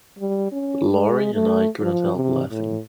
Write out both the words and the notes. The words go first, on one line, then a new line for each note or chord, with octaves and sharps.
Laurie and I couldn't help laughing.
G3
C#4
G#3
A3
F3
C3
A2